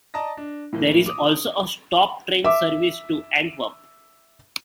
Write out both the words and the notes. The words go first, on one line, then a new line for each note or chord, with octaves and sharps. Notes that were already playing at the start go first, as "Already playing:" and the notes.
There is also a stop-train service to Antwerp.
D5 D#5 A5 A#5 D#6 A#6
D4
A2 E3 A#3
D6 D#6
E5 D6